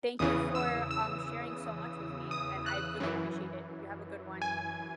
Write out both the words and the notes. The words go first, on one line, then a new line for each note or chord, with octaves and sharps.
Thank you for, um, sharing so much with me, and I really appreciate it. You have a good one.
E2 C#3 E3 D#6
E6
E6
D#6
F#6
F#2 E3
G#5